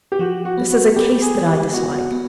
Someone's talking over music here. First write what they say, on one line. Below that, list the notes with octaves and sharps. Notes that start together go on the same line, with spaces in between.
This is a case that I dislike.
G4
F3 F#4
F#4
B3
F#4
B3 G4
G#4
G#3
G4
B3 F#4
B3